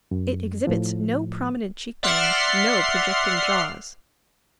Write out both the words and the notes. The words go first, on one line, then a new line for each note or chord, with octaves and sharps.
It exhibits no prominent cheekbones, no projecting jaws.
F#2
A2 F3
D5 E5 F#5 C6 F6 C7